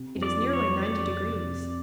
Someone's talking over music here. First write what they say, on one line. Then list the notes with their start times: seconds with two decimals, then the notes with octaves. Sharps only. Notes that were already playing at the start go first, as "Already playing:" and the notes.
It is nearly ninety degrees.
Already playing: C3
0.15 F2
0.23 D5
0.38 F2
0.53 C#5
0.60 F2
0.83 F2 D5
1.05 C3
1.29 C3
1.51 C3